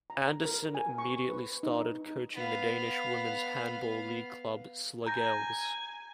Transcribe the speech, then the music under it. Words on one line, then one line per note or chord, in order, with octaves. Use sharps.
Andersen immediately started coaching the Danish Women's Handball League club Slagelse.
A#5
A#4
G#5
C#6
B4
D#4
B3 F5
G#5 A#5 G6 A#6